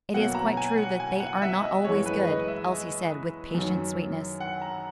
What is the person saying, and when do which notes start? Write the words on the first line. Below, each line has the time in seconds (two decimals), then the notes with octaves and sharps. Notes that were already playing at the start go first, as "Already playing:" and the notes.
"It is quite true that they are not always good," Elsie said with patient sweetness.
0.14 B2 F#3 A#3 F#5
0.35 A#5
0.57 G#5
0.77 F#5
1.00 G#5
1.20 F#5
1.37 F#5
1.42 E5
1.63 D#5
1.84 F#2 E3 G#3 C#5
2.06 B4
2.27 D#5
2.48 E5
3.55 F#2 D#3 F#3
4.40 F#5
4.62 A#5